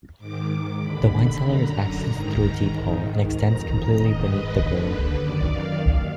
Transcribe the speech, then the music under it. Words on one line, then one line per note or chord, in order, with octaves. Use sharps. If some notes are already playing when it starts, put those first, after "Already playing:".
The wine cellar is accessed through Deep Hall, and extends completely beneath the Grove.
G#2 D#3 D6
D#2 D3 B5
F#2 D3 A#5
G#2 D#3
G#2 D#3
F2 D#3 A#5
G#2 D#3 D#5
B4
D#2 D3 B4
F#2 D#3 D5
F5
D#2 D#3